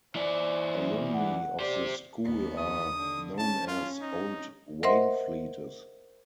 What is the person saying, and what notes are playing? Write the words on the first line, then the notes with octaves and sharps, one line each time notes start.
Alumni of the school are known as "Old Waynfletes".
E3 C5 D5
F#5
G4 C5 D5
D#2 B3
D#6
D3
C#4 A5
F4
D#4
A#4 C5 D#5 E5 F#5 C6